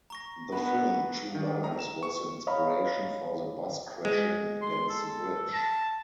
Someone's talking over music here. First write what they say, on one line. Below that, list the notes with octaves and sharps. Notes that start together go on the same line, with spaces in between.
The film "True Lies" was the inspiration for the bus crashing against the bridge.
A#5 C#6 A#6
B3 D4 B4 F#5
D#3
A#5
E7
C#6
C#5 D#5 F5 A#5 B5
G#3
C6
A4
A5